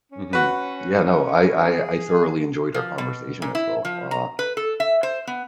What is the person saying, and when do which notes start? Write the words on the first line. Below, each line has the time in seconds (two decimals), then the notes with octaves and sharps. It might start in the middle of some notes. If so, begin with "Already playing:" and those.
Mhm. Yeah, no, I I I thoroughly enjoyed our conversation as well, uh,
0.12 C#4
0.33 F#4 B4
1.74 G#4
2.74 F3
2.98 B2
3.42 A#2
3.55 E4
3.85 F3
4.11 A#5
4.39 B4
4.57 A4
4.80 E5
5.03 C5
5.27 B3